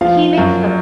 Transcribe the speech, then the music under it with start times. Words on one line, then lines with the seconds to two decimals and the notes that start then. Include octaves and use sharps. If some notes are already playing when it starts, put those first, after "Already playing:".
he makes the
0.01 F3 F5
0.38 F#2